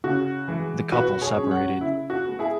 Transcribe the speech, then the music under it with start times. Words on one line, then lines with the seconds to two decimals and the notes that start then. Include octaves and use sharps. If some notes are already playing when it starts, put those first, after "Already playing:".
The couple separated.
0.04 C#3 F#4
0.48 E3 G#3
0.92 B2 F#4 B4
1.21 G#4 C#5
1.36 F#3 C#4
1.51 C#5 F#5
1.80 C#3 E4
2.10 F#4
2.25 G#3 B3
2.39 E4 G#4